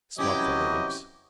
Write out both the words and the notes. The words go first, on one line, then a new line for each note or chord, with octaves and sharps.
Smart fellow--lynx.
C3 E3 F#3 C#4 E4 G4 D#5 D6